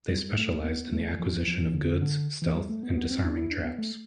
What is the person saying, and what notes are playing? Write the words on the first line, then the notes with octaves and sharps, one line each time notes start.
They specialized in the acquisition of goods, stealth, and disarming traps.
G3
A3
B3
A3
F3
F3
F3
E3
D3
D3
E3
G3
A3
B3
B3
C4
D4
E4
D4
B3
A3